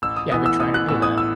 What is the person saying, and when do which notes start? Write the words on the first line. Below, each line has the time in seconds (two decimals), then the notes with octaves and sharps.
Yeah, I've been trying to do that.
0.02 A1 E6
0.16 D#6
0.31 A2 E3 B3 D#6
0.46 E6
0.59 A1 D#6
0.74 F#6
0.88 A2 E3 B3 E6
1.02 D#6
1.18 E6